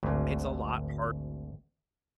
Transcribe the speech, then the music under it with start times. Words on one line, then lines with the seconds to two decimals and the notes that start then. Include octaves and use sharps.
it's a lot harder
0.03 G#1 D2